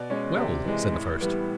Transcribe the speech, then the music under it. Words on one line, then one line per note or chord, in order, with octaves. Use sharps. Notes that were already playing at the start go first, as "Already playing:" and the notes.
"Well!" said the first.
Already playing: B2 D5
G#3 C#4
C3
E3 G#3
A2
E3 G3 B3